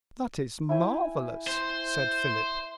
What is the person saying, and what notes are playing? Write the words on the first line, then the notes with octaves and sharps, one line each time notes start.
"That is marvelous!" said Philip.
E4 G5 G#5
C5